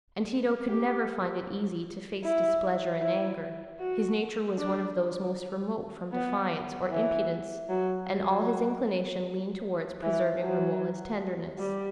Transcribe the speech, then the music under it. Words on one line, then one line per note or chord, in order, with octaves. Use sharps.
And Tito could never find it easy to face displeasure and anger; his nature was one of those most remote from defiance or impudence, and all his inclinations leaned towards preserving Romola's tenderness.
G4
E4
E4
F#4
D4
B3
E3
F#3
F#3
E3
F#3
G3